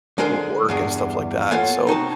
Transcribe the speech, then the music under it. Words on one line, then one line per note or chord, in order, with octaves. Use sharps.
w work and stuff like that, so,
D3 G#3 D4 A#4 C5 G#5
E2 G2 G#4
B3 F4 A4 C#5 F5 G#5
C4 D#4 F#4 A5